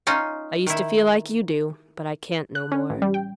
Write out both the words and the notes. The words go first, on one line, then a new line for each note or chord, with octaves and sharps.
I used to feel like you do, but I can't no more.
C#4 D#4 F4
D#3 E4
F#6
C#4
A1
G3
G5